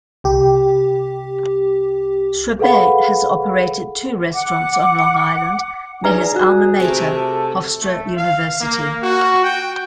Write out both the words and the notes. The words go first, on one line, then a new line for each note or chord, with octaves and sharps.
Chrebet has operated two restaurants on Long Island near his alma mater, Hofstra University.
C2 G4
G#4 A4 B4 F5 F#5 B5
F#5 D6
D#4 G#4 B4 D5 A#5
F#4
C3 A3 A#4
A4
A3
F5
A#3
F#4
G5